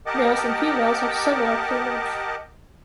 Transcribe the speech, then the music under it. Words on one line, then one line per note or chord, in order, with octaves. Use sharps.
Males and females have similar plumage.
G4 A#4 D#5 F#5 A5 D6